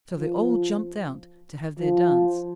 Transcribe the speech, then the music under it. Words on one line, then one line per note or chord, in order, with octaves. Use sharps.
So they all jumped out to have their dance.
F3
F3